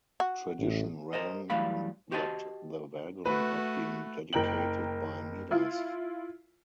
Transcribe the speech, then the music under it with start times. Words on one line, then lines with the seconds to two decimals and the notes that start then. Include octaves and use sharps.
Tradition ran that the wagon had been dedicated by Midas.
0.20 F#4
0.58 A1
1.13 A#4 C5 D#5
1.50 F#2 E3 G3 A3 F5 B5
2.11 F#4 G4 C5 D#5 G5 A5
3.25 A3 F#4 B4
4.33 F#1 A#4 G5 F#7
5.51 E4 F4